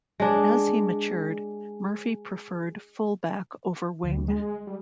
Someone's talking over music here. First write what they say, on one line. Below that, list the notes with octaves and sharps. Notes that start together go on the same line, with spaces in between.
As he matured, Murphy preferred full back over wing.
G#3 D4
D2
G#3
G3